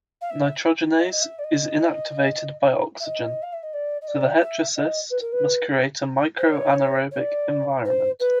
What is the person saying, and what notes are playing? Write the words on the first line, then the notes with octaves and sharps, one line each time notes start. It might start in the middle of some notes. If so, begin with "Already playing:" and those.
Nitrogenase is inactivated by oxygen, so the heterocyst must create a microanaerobic environment.
F5
E5
D#5
E5
D#5
E5
D5
D#5
E5
D#5
F5
E5
D#5
D5
D#5
D5
E5
D#5
B4
A#4
B4
C5
C#5
C#5
D5
C5
B4